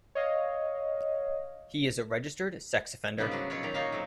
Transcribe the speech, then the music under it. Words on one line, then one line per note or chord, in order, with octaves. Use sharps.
He is a registered sex offender.
C#5 D#5 F5
G#2 C#3 G3 A#3 B3 D4
F#3 A3 F#4
B2 F#3 F4 F#4 C#5
A#2 D#3 G4 D5 A#5
A#3 D#4 F4 F#4 C#5 F5
F#3 A3 C4